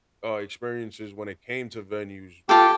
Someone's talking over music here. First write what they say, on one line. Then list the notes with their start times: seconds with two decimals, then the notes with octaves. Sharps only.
uh, experiences when it came to venues
2.49 F4 G4 A4 G5